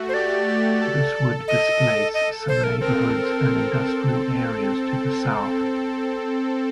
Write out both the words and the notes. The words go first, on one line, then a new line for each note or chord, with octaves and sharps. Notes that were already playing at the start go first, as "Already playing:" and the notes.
This would displace some neighborhoods and industrial areas to the south.
Already playing: A3 F#4
C5
G4 D5
G4
A4
A4
D#5
A4
D#5
C5
A#4
C4 A#4